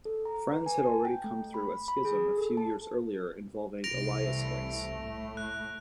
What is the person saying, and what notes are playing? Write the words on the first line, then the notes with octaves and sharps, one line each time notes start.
Friends had already come through a schism a few years earlier involving Elias Hicks.
A4
A#5
B4
G#5
A5
G5
A3
B5
B5
G#4
A4
A5
C2 C3 E3 A#6 D7 F7
A3
A2
F#6